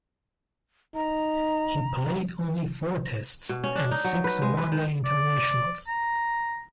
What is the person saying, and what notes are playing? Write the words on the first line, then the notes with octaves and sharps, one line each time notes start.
He played only four Tests and six One Day Internationals.
D#4 A#5
B2
C#4
D4
D#4
F#3
B4
G#3
B4
D#3
D5
A#5